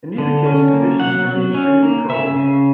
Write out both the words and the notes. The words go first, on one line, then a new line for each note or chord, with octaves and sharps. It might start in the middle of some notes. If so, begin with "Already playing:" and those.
In either case conditions can be extremely cold.
D3
C#4
A#3
F#3 F#5
F#3
C#4
A#3
C#3 E5
C#3